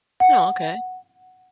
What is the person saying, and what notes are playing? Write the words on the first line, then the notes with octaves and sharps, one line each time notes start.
Oh, okay.
F#5